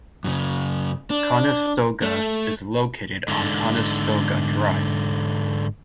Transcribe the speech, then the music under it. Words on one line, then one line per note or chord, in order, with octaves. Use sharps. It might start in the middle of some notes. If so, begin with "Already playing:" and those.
Conestoga is located on Conestoga Drive.
F#2 C#3
D4
A3
G#2 D3